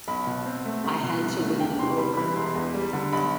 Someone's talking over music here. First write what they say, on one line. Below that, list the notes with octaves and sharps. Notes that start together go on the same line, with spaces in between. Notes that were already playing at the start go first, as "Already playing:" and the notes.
I had to win them over.
B1 B5
B2
C4
A3
C2
B2
C2
A3
E2 G5
C3 C6
G3 B5
E3 B5
E1 C6
E2
G3
D3
B1 B5